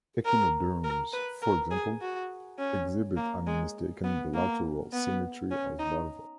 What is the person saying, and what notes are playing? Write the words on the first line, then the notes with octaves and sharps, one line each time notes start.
Echinoderms, for example, exhibit unmistaken bilateral symmetry as larvae.
A#4
A#4
B4
A#4
G#4
F#4
C#4
A#3
G#3
B3
A#3
B3
C#4
D#4